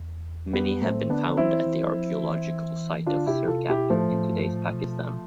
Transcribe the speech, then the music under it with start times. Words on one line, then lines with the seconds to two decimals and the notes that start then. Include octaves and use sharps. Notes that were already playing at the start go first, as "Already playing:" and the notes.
Many have been found at the archaeological site of Sirkap, in today's Pakistan.
Already playing: E2
0.53 F2 G3 B3
0.82 A2 A3 C4
1.09 D3 B3 D4
1.37 E3 C4 E4
1.66 E3
1.94 F3
2.23 E3
3.06 D3 D4 F4
3.27 C3 E4 G4
3.48 C3 F4 A4
3.69 B2 E4 G4
3.90 A2 F3 A3
4.12 A2
4.33 G2
4.53 A2
4.74 B2